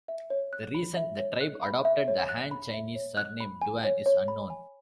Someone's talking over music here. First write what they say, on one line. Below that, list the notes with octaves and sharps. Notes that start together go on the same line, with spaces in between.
The reason the tribe adopted the Han Chinese surname Duan is unknown.
E5
C#5
F#6
B5
E5
C#5
F#6
B5
E5
C#5
F#6
B5
E5
C#5
F#6
B5
G#5
C#5
C#5
B5
G#5